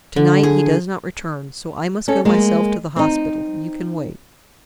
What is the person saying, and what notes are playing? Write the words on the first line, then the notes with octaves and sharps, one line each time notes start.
"To-night he does not return, so I must go myself to the hospital--you can wait."
D3
G#4
C#4 A4
G#3 A#3
C4 D#4